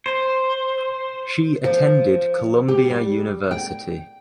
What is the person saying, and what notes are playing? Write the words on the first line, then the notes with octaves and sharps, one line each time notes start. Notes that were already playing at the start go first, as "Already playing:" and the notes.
She attended Columbia University.
C5
F3
G4
G3
G5